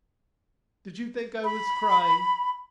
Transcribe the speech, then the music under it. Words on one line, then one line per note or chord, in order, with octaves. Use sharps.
Did you think I was crying?
B5